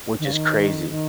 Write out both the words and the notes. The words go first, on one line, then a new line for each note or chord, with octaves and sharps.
which is crazy.
D#3
C#3
D#3
D#3